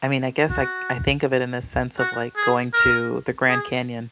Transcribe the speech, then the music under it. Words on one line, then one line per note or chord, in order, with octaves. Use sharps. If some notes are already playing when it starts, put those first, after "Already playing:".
I mean, I guess, I I think of it in the sense of, like, going to the Grand Canyon,
F#4
F#4
G#4
A#4
G#4